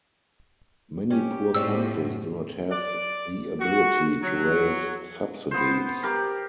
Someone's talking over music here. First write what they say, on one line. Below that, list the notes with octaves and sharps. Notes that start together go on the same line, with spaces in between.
Many poor countries do not have the ability to raise subsidies.
C#4 G4
A2 C4 D4 C#5 E6
F#2
D5
F#4
F#3
B3 C5
G4 A#4 B5